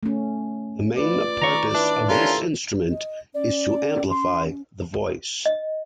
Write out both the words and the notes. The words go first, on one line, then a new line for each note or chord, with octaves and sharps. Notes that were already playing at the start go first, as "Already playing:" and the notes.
The main purpose of this instrument is to amplify the voice.
A3 C#4
F4 B4 D5
D#3 A#5 C#6
D4 E4 B4 E5
C#4 E4 F4 G4 A4 A#4
D#5
C#4 D5
C6
D#5